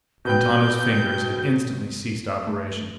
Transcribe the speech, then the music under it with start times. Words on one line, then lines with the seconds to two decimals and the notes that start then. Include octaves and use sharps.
Quintana's fingers had instantly ceased operations.
0.25 B2 B4 G5 G6
2.47 A3